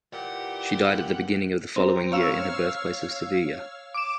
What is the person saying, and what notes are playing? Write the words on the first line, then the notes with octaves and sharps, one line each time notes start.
She died at the beginning of the following year in her birthplace of Sevilla.
A#2 E3 G4 F#5
C4 A#5
C#5 F5 E6 F6
D6 E7